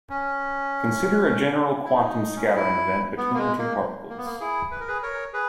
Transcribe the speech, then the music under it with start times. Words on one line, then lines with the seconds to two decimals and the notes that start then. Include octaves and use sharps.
Consider a general quantum scattering event between two particles.
0.10 C#4
1.85 E4
1.95 D#4
2.36 C#4
2.46 D#4
2.56 E4
3.18 B3
3.34 A#3
3.38 G#3
3.59 A#3
4.10 A#3
4.18 B3
4.25 A#3
4.40 E4 G#4
4.71 B4
4.80 A#4
4.88 G#4 B4
5.02 A#4 C#5
5.33 G#4 B4